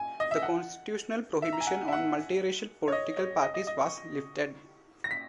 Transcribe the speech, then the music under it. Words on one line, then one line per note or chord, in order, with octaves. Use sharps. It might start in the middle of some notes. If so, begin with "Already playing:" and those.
The constitutional prohibition on multiracial political parties was lifted.
Already playing: G#5
D#5
E5
F#5
E5
A#5
G#5
F#5
E5
F#5
C#5
D#5
C#5
D#5
D#5
D#5
C#6
A#6
B6